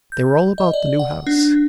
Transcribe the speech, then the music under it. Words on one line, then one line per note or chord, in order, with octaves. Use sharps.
They were all about the new house.
G6
D#5
D5
F#5
D4